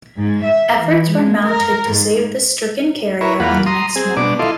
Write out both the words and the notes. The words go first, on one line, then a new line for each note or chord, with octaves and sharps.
Efforts were mounted to save the stricken carrier on the next morning.
G#2
E5
E3
G#3
A#4
G#2
E4 A#4 B4 C#5
E2 A#3 F4 F#5 B5
A#5 C6 D#6
C4 G#4
B2 D4 D6
E4 F4 A4 D#5 C6